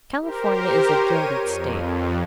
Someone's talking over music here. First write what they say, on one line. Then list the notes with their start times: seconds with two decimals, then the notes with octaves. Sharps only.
California is a gilded state.
0.20 G4 A#4 C5
0.92 C#5 D#7
1.41 F2